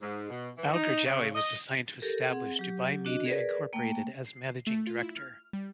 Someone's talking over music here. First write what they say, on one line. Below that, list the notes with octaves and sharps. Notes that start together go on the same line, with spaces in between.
Al Gergawi was assigned to establish Dubai Media Incorporated as Managing Director.
G#2
B2
E3
D#4
C#3
D#5
G4 A4 A#4
C4 G#4 F#5
F#3 G4
D4 F#4 D#5
G#4 A#4 B4 D5
A3 A#3 G5
C7
A3
F4
E4
F6
G3